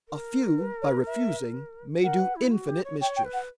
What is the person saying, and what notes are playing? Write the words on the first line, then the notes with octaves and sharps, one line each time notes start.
A few by refusing may do infinite mischief.
A#4
B4
C#5
E5
A#4 F#5
B4
E4
F#4
G4
C#5
C#5 G5
G5
B4
F#5